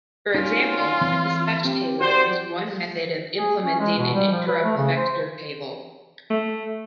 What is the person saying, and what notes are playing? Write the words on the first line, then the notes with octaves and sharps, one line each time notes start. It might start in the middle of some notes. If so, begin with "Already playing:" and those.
For example, a dispatch table is one method of implementing an interrupt vector table.
C#4 D#4 F4 F#4 A#4
E3 C4
C4 G4
F#4 C5 D5
G#4
C#4
G#3
B2
G3
F3
B4
A3
C#3
C5
A3